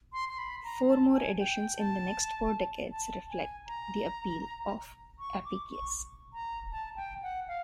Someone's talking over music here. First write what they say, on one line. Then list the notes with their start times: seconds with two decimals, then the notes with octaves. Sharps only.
Four more editions in the next four decades reflect the appeal of "Apicius".
0.13 C6
0.29 C6
0.38 B5
0.64 A#5
0.89 A5
1.14 G#5
1.40 G5
1.77 A5
2.92 A5
3.30 G#5
3.67 A#5
5.19 C#6
5.45 D6
5.70 C#6
6.33 A#5
6.72 A5
6.96 G5
7.22 F#5
7.48 F5